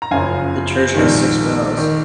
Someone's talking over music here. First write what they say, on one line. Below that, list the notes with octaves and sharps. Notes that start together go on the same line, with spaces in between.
The church has six bells.
A#5
F#1 F#2 C#3 F3 F5 G#5
A#1 G#2 D#3
D#3